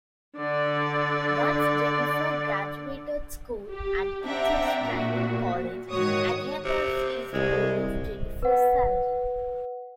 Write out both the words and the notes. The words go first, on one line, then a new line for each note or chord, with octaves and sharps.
Once Jennifer graduated school and teachers' training college, Agatha seized hold of Jennifer's salary.
D3 D5
G4
C4 D4 E5 F#5 G5 A#5
A#2 F#4
G#2 D#3 F#4 C#5 C#6 D#6
C3
C2 G#3
B4 F#5